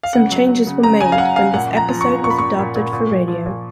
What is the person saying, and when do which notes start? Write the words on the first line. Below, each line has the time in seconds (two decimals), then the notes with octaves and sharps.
Some changes were made when this episode was adapted for radio.
0.03 F5
0.13 C#3 F#5
0.32 F#3
0.49 F#3
0.67 C#3
0.83 C#3 A#5
1.01 C#3 G#5
1.12 F5
1.18 F#3 F#5
1.36 C#3 F5
1.54 A#2 F#5
1.72 F3
1.77 A#5
1.89 F3
2.01 C#6
2.07 A#2
2.23 A#2 C#6
2.30 B5
2.39 A#2 C#6
2.59 A#2
2.75 A#2
2.93 A#2
3.11 A#2
3.28 F3
3.46 A#2